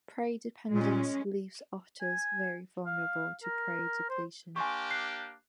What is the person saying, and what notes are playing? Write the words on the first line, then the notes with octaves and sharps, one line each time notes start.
Prey-dependence leaves otters very vulnerable to prey depletion.
A#2 G#3 C#4
G#5
F5
A#4
C5
A#3 D4 G4 G#5 C6 C#6
F#6 C7